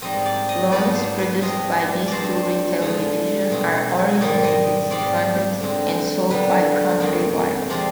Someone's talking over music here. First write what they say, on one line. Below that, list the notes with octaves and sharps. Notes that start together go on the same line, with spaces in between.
Loans produced by these two retail division are originated, funded, and sold by Countrywide.
G#2 G3 C4 D#5
D5
D#5
G#2 F3 B3 D5
C5
B4
C3 F3 C4 D#5
D5
G2 F3 G#3 C5 D5
D3 F3 G#3
B2 G#3 C4
G#2 D#3 G3 D5
D#5
G#2 G3 C4 D5
D3 G#3 C4
D3 G3 B3 B4
F2 C3 D#3
C3 F3 G#3 C4 D5